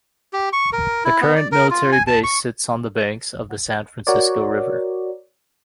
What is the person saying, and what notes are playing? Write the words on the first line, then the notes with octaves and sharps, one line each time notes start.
The current military base sits on the banks of the San Francisco River.
G4
C#6
A#4
E4
B3
D5
A#4
F4
G#5
A5
C#6
F#4 A#4 C#5 D5